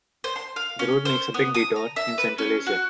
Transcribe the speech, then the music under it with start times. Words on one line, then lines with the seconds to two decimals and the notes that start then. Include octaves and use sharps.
The road makes a big detour in Central Asia.
0.24 C5
0.36 C6
0.56 F5
0.79 C#4
1.05 C5
1.34 B3
1.54 D#6
1.76 A#5
1.96 E5
2.18 B4
2.38 C#4
2.66 F#4